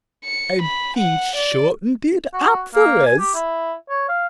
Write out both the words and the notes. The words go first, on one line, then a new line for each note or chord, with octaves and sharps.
And he shortened it up for us.
C#7
B5
F#5
D5
F#4
A#3
G#5
G4
E4
C#5
F5